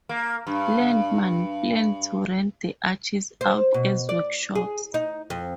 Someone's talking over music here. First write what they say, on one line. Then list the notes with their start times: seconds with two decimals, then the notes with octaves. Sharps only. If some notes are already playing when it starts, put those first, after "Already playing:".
Landmann planned to rent the arches out as workshops.
0.09 A#3
0.47 G2
3.41 C5
3.74 B2
4.09 D5
4.55 G#4
4.94 D#4
5.30 F2